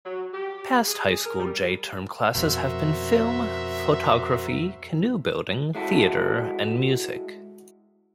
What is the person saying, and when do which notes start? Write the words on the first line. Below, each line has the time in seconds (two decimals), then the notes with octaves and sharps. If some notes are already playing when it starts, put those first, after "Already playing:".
Past High School J-Term classes have been Film, Photography, Canoe-Building, Theater and Music.
0.06 F#3
0.34 G4
0.88 G#4
1.26 A#4
1.40 G3
2.35 F2 B2 F#4 A#4 C5 E5
5.75 G#3 E4 F#4 A4